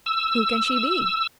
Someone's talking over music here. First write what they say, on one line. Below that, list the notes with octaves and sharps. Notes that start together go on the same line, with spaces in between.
Who can she be?
E6